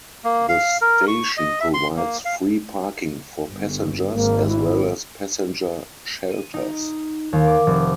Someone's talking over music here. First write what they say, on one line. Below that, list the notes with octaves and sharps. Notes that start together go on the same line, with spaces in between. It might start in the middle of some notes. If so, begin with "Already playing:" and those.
The station provides free parking for passengers, as well as passenger shelters.
A#3
F5
A#4
C#6
D#5
E5
C6
A#3
F5
G1
G#1 A#3
E4
D#7
D#4
D#2
D6
F1